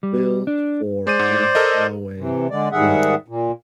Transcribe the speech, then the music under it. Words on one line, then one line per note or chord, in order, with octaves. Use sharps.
Built for Off-Highway vehicles.
G3
D4
G#3 C5 D5 D#7
G#2
A4 A#4 D#5
C3 E3
D3 G#3 D5
G#2 D#3 G3 G#4 E5 F#5
A#2